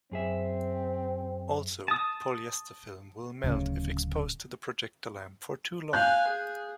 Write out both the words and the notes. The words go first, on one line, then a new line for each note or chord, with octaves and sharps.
Also, polyester film will melt if exposed to the projector lamp for too long.
F#2 C4 G#4 E5
A5 D#6
D1 C#3
F5 G#5 F#6 G6
G#4